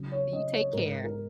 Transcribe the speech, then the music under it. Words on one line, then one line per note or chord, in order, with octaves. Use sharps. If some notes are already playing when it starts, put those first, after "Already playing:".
So you take care.
Already playing: C#3 F#3
C#5
C#3 D#5
C#5
G#2 A#4
A#4